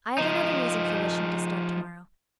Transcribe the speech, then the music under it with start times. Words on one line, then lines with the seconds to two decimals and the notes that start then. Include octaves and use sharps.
I have another reason for wishing to start to-morrow.
0.18 F3 D#4